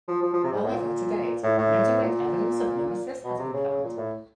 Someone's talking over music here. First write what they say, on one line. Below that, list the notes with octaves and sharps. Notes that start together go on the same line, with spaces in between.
However, to date no direct evidence of Nemesis has been found.
F3
F3
F3
C3
G#2
A2
A#2
A2
A2
A#2
B2
C3
C#3
C#3
A#2
A2